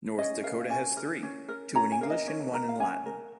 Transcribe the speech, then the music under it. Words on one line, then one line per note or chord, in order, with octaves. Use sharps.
North Dakota has three, two in English and one in Latin.
C#4 D#5
A#4 F5
C#4 G#5
A#4
C#4
A#4
C#4 A#5
G#5
A#4 F5
D#5
C#4 C#5
A#4 A#5
F5
C#4 G#5
A#4